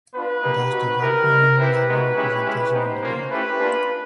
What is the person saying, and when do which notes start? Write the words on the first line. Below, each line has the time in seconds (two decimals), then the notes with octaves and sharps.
Thus the rugby union had no representation on the board.
0.14 B3 D4 F4 B4
0.43 A#3 D#4 G4
0.72 C4 D#4 F#4
1.00 B3 E4 G4 A#4
1.29 G3 C4 D#4
1.57 C4 E4 G4 B4
1.87 G#3 B3 D#4 F#4
2.15 G#3 C#4 E4 G4
2.45 G#3 C#4 E4 G4
2.73 B3 D#4 G4 C5
3.02 A#3 C#4 F4
3.30 A3 C#4 E4 G4 B4
3.59 A#3 D4 F4